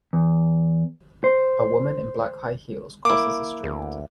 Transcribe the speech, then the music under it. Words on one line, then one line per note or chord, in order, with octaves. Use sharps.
A woman in black high heels crosses a street.
E2
C5
A#3 E4 D6
D2